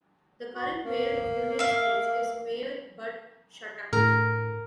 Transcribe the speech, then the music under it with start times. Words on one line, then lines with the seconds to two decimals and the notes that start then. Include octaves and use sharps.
The current mayor of Union Springs is Mayor Bud Shattuck.
0.55 F#4
0.84 A#3
1.59 E5 F5
3.93 A2 A#4